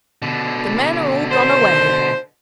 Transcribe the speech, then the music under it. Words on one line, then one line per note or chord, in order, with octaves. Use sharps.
The men are all gone away.
B2 D3
C5